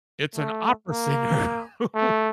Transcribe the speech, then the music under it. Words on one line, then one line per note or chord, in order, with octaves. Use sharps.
it's an opera singer who
A3
A#3
A3